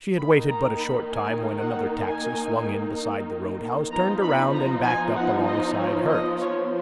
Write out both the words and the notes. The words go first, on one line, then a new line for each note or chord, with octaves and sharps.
She had waited but a short time when another taxi swung in beside the road-house, turned around and backed up alongside hers.
D#3 A#3 D#4 B5
A#5
B5
G#5
F#5
G#5
F3 B3 D#4 A#5
B5
A#5
G#5
F#5
D#5
C#5
D#5
C#5